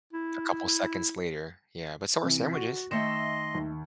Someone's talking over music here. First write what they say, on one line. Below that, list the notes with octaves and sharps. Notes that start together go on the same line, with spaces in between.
a couple seconds later, yeah, but so are sandwiches.
E4
C3 E3
F#4
D#3 A3 D#5 E5 C6 E7
D#2